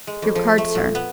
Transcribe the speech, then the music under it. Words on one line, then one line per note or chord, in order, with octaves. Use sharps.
"Your card, sir."
G#3
F2
F3
A3
A#2
B3